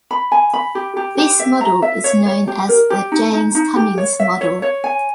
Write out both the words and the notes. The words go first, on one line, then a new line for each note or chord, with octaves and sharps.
This model is known as the Jaynes-Cummings model.
B5
G#5
B5
G4
G4
G4
E5
A#5
E5
C#5
C#5
G4
A#4
G4
D#4
D#4
D#4
G4
C#5
E5
C#5
C#5
G#5